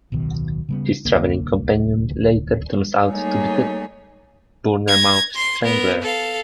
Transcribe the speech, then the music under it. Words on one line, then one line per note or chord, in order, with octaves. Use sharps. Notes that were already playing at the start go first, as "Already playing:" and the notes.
His traveling companion later turns out to be the Bournemouth Strangler.
D1 B1 B2 D#3
C#3 G3 B3
D1 C2 D3 A#3
G3 A3 A#3 D#4 G#4 C#5
G#6 A#6
C6 C7
B3 A#4
A4 F5